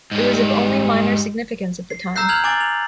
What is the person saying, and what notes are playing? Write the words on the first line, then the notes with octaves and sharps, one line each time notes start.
It was of only minor significance at the time.
G#2 G3
C7
A#5 E6 F#6 G6 C7
F6 G#6 F7 F#7
G#5 D6 A6 F#7
F7